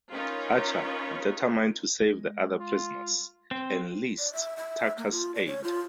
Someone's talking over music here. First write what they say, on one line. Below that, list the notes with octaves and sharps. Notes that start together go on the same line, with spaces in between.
Archer, determined to save the other prisoners, enlists Tucker's aid.
C#4 D#4 F4 A#4 B4 C#5
G#3
F4
C4
D5
E5
E5
A#3
F4
D5
C#5
F4